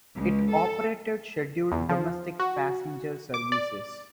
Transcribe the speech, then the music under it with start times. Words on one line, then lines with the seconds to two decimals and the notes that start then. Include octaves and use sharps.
It operated scheduled domestic passenger services.
0.15 C#2
0.52 A4
1.72 E2
1.89 F3
2.40 F#4
3.34 D6
3.52 D5